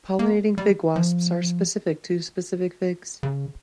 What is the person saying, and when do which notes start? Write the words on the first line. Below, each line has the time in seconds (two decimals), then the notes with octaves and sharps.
Pollinating fig wasps are specific to specific figs.
0.19 A#3
0.58 G3
0.96 F3
3.23 C#3